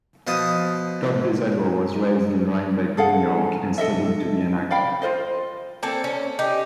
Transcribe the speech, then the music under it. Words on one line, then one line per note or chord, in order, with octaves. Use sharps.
Todd Dezago was raised in Rhinebeck, New York and studied to be an actor.
B2 F3 A5 D#6
G#4 A4 F5 F#5
A4 D#5 E5
D5 F5 G5 B5
F4 B4 C5 D#5
A#3 C4 A4
C#4
D#4 G4